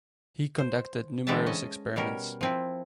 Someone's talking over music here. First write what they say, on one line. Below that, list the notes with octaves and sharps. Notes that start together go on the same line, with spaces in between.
He conducted numerous experiments.
C5
D3 E3 G#3 C4 E5 A5
C#4 D#5
B2 G3 C#4 A#4
F3 C4 E4